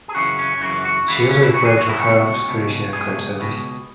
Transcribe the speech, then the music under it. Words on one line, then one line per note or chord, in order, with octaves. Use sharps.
She is also required to have three haircuts a day.
G#4
F#2 C#3 E3 F#4
C#4
F#2 C#3 E3 F#4
F#4
F#2 C#3 E3 E4
B3
C#4
E4
F#2 C#3 E3 F#4
G#4
F#4
E4
C#2 B2 F#4
C#2 B2
C#2 B2 G#4
C#2 B2